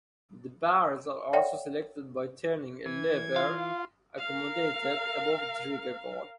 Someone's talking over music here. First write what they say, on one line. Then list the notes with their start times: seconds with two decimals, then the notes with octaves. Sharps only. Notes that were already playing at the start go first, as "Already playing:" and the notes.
The barrels are selected by turning a lever accommodated above the trigger guard.
1.33 A4 C#5 D5 E5 F#5 G5
2.86 E3 G#6
3.36 F4 F5
4.20 A#4 F5